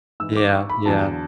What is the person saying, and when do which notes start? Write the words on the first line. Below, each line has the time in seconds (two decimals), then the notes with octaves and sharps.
Yeah, yeah.
0.20 G#2 E3 E6
0.36 D6
0.53 C#6
0.70 B5
0.86 E2 D3 F#3 A5